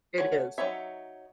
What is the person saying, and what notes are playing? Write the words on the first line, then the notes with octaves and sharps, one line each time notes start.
It is.
A3 F#4 C#5
F#3 C#4 D#4 C#5 E5